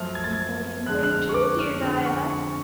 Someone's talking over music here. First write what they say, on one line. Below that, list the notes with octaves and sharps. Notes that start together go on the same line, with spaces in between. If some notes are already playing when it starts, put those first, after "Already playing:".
Not been hoarding food, too, dear Diva?
Already playing: F#2 F3 A3 F6
G#6
A6
G#6
F2 D3 G#3 F#6
F#6
F6
C#6
D6
F6
F2 D3 G#3 F6
C#6
C#6